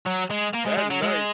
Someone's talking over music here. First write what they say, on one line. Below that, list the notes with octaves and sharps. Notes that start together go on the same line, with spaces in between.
that night
F#3
G#3
A#3
G#3
G#3
F#3
G#3